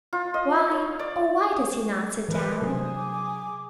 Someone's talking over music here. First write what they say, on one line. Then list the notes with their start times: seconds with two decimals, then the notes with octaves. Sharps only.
Why, oh, why does he not sit down?
0.13 F4
0.34 D#5
0.71 C#5
0.99 D5
2.28 E3 F3 G3 A#4 B4
2.62 C3 F#3 D4 G#4 C5
2.96 D6